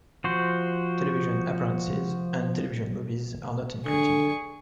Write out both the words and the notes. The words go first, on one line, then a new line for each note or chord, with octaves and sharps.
Television appearances and television movies are not included.
F3 F#4 C5
D3 G#4 C#6